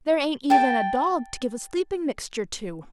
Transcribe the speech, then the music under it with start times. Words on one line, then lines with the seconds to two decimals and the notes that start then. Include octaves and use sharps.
There ain't even a dog to give a sleeping-mixture to.
0.50 G5 A5